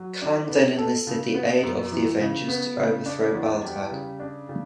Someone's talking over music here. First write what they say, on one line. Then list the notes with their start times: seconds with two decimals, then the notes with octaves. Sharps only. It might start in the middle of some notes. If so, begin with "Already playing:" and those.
Kang then enlisted the aid of the Avengers to overthrow Baltag.
Already playing: F#3
0.22 D4
0.49 B3
0.78 A4
1.07 C#3
1.35 B3
1.63 F#2
1.92 E3
2.20 C#3
2.48 B3
2.77 C#3
3.06 D4
3.34 E2
3.63 G3
3.91 C#3
4.20 D4
4.49 C#3